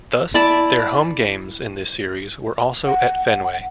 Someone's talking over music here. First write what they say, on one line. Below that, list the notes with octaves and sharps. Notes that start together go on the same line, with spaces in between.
Thus their home games in this Series were also at Fenway.
E4 D5 A5
F#5